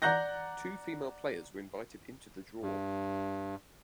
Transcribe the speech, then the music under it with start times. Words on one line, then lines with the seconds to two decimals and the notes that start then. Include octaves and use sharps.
Two female players were invited into the draw.
0.02 D5 F#5 A#5 F#6 G6 A#6
2.61 G2